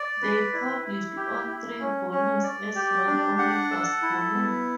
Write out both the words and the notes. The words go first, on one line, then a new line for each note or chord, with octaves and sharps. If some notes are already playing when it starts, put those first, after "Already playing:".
They published all three volumes as one omnibus volume.
Already playing: D5
B4
E4
E4
G4
E4
C#4
C#4
D5
G4
D4
F#5
A4
E4
B3